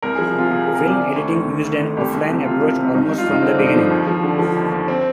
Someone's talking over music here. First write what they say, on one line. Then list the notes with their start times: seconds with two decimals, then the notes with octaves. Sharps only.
Film editing used an offline approach almost from the beginning.
0.02 C2 A#4
0.15 F3 G#4
0.35 C3 F4
0.51 C3 G#4
0.63 A#4
0.68 F3
0.75 A#4
0.83 C3 D5
1.00 C3
1.16 D2
1.32 D#3
1.48 D#3
1.65 D2
1.81 D2
1.97 C2 G4
2.14 C2
2.29 C3
2.45 C3 F4
2.61 C2
2.78 C3
2.94 G2 D#4
3.06 D#4
3.11 G2
3.18 F4
3.27 G2 D#4
3.42 D3 C4
3.55 G2 D4
3.66 D#4
3.75 F3
3.91 D#2
4.08 F3
4.23 D3
4.39 F3
4.56 D#2
4.72 D#2
4.88 C4